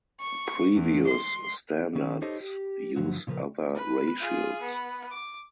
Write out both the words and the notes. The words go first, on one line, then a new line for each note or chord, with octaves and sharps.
Previous standards use other ratios.
C#6
E2
C6
D#3 C#4
D#4 G4 A4 C5 C#5 D#5
G4
G2 D3 F3 F#3
A#2 C#3 F3 A#4 B4
B4
F4 G#4
B3
D6